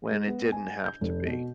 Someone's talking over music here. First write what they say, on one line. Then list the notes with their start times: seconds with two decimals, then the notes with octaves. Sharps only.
when it didn't have to be.
0.11 G#3
0.27 B3
0.52 G#5
0.85 G6
1.01 F1
1.25 B2